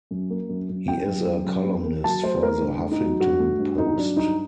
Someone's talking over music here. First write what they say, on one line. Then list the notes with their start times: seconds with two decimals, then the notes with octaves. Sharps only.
He is a columnist for "The Huffington Post".
0.11 F#2
0.30 A#3
0.49 F#2
0.69 F#2
0.88 F#2 G5
1.07 F#2
1.27 F#2
1.46 F#2
1.65 A#3
1.85 A#3
2.04 F#3 A5
2.23 A3 C5
2.43 A3 A#4
2.62 G2
2.81 A3
2.92 D#4
3.00 F#3
3.20 G2 F#4
3.39 A3
3.59 G2
3.78 G2 D#4
3.98 F#3 D4
4.17 G2 D#4